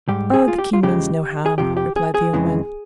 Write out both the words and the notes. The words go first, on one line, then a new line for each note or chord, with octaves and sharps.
"Oh! the king means no harm," replied the young man.
G#2 G3 G4
G#4
F4
G4
F4
E2 C#3 F3 G#3 G4
G#4
F2 C3 F3 G4
G4
G#4
G#4
F2 C#3 E3 G#3